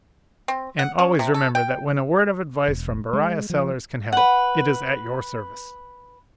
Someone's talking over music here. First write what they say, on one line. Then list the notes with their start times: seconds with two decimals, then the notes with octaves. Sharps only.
And always remember that when a word of advice from Beriah Sellers can help, it is at your service.
0.48 C4
0.79 F#5
0.99 C#4
1.19 C3
1.34 A4
1.55 G5
2.68 E1
3.13 G#3
3.50 F3
4.13 B4 F#5